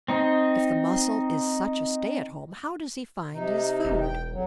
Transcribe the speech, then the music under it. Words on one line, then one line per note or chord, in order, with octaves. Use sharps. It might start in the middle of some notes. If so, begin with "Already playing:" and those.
If the Mussel is such a stay-at-home, how does he find his food?
C4 D#4
C3 D#4
E1
G5
F2 F#3